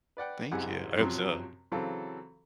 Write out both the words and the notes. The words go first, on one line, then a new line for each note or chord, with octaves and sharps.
Thank you. I hope so.
B4 D5 F#5 G5
C2 F#2 G#3 G4 F#5 G#5
F#2 C3 F3 F#3
C#3 E3 F#3 C4 F4 A4